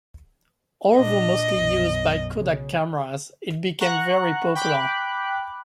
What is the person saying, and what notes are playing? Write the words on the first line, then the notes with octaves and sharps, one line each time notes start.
Although mostly used by Kodak cameras, it became very popular.
A#2 D4 D#5
B1 F#2
C#3
F#5 A#5 C#6 F#6
G5 B5 D6 F#6